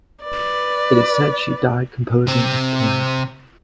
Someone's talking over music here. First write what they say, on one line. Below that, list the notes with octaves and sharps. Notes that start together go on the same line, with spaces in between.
It is said that she died composing at the piano.
B4 D5
C3 C4